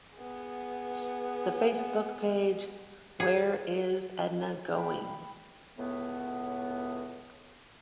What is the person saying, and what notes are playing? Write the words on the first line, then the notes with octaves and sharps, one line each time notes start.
The Facebook page, Where is Edna Going?
B3 G#4
G#4
G5 B5
C#2 A2 B3